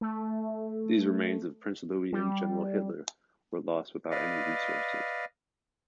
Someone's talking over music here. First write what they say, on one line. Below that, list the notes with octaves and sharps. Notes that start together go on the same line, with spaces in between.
These remains of prince Louis and General Hitler were lost without any resources.
A3
G3
B4 D5 D#5 F5